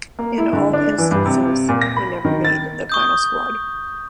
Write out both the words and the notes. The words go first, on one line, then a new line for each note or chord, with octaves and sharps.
In all instances he never made the final squad.
A#3
E4
D3
D4
E3
G2
C3
A#2
A#6
B5
D#3
A6
C#6 D#6 G6